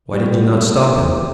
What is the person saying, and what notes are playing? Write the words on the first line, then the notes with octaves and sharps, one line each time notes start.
"Why did you not stop him?"
B2 G3